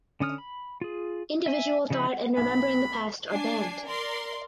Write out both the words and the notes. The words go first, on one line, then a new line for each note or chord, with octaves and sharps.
Individual thought and remembering the past are banned.
D3 C#4 D#6 F6
B5
F4 G#4
E5 G#5
C#3 F3 D#4 E4 B5
B1 B3 G#5 B5
D4 G#5 C7
A#4 D5 C6